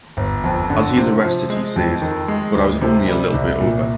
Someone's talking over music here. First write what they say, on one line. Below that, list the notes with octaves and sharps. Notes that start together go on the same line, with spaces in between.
As he is arrested he says, But I was only a little bit over.
G1
F2
D3
C3
F3
G#3
F2
D#3
G#3
D2
C3
G3
C2
A#2